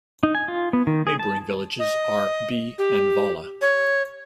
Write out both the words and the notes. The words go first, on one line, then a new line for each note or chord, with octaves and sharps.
Neighbouring villages are Bie and Valla.
D#4
G#5
F4
B3
D#3
G#4
A5
D#5
G4
C#5